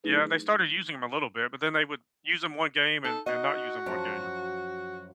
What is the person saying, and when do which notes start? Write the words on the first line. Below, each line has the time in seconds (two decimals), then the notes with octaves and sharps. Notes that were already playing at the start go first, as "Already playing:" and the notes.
Yeah, they started using him a little bit, but then they would use him one game and and not use him one game.
0.04 F#3 A3 D#4 E4 G#4 B4
3.04 D#4 A4
3.26 D#4 F#4 D#5
3.86 F#2 F3 F#5